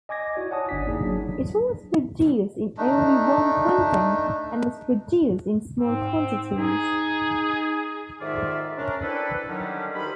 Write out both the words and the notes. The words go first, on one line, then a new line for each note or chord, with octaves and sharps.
It was produced in only one printing, and was produced in small quantities.
D#5 G#5 D6 G#6 A#6
E4 F#4 D5
C#5 F#5 G#5 A5 D#6
G1 D4 D5 B6
A#3 D#4 E4 G#4
F#3 D4
A3 D4 D#4
G#2 C4
D#4 G#4
F2 G#2 D#3 F4 D5 E5
C#4 D4 A#4
C4 D4 E4 A4 B4
D3 D#3 F#3 G3 C#4 D4
D2 D#3 G4 C5 B5